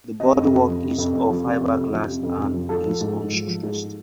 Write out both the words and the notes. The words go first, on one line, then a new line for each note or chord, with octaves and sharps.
The bodywork is of fiberglass and is unstressed.
C3 D#5
F2
F2
F3
C3
F2
F2
F3
C3
F2
F2
F3
C3
F2
F2
F3
F3 A4
F3
G#2
G#2
F3
F3
G#2